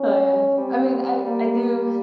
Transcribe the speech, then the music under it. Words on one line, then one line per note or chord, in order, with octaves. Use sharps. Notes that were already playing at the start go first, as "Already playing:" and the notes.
oh yeah. I mean, I I do
Already playing: C#4
G3 C4
G3 A#3